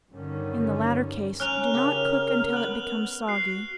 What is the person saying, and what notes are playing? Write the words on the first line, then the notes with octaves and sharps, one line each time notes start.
In the latter case do not cook until it becomes soggy.
G2 D3 D#3 G3 C#4
C#4 A#5 F6 F#6 F7
C#3 G4 A#4
B3 F#6 F#7
F#4 F#6 C7